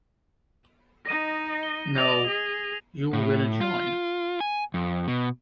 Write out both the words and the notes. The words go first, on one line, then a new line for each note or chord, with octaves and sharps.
No, you will join.
D#4 D#5 A#6 D#7
G7
D5 D#5 A#6 F7
G#4
A2
F4
G#5
F2
B2